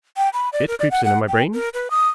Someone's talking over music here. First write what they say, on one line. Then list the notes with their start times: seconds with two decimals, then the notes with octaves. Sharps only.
"It creeps into my brain."
0.17 G5
0.33 B5
0.53 D5
0.68 A#4
0.79 D5
0.91 F#5
1.05 F#5
1.28 G5
1.53 A#4
1.74 B4
1.91 D#6